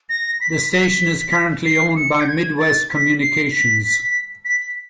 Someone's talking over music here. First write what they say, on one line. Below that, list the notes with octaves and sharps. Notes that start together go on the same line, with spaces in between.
The station is currently owned by Midwest Communications.
A#6
B6
B6
C7
C#7
G6
G#6
A6
B6
C7
B6
B6